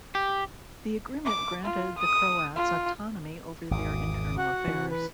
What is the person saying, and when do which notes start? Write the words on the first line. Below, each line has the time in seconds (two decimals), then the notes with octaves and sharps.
The agreement granted the Croats autonomy over their internal affairs.
0.15 G4
1.25 D6
1.64 F4
1.98 D#6
2.56 F4
3.71 G#1 E2 D6 D#6
4.37 F#4 F#5
4.68 E3
4.90 B4